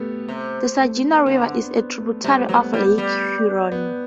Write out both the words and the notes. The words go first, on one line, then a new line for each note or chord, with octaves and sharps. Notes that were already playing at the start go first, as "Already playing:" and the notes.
The Saginaw River is a tributary of Lake Huron.
Already playing: A3 B3 G4 A4
C3
A3
A3
A3
B3
D3 C4
C4
B3
B3
B3
A3
C3 G3
A3
F#3 B3
B3
G3
G3
B3